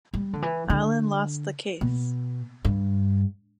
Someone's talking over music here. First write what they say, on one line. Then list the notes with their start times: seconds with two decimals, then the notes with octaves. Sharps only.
Allan lost the case.
0.14 G3
0.33 D3
0.42 E3
0.70 D3
1.81 B2
2.65 G2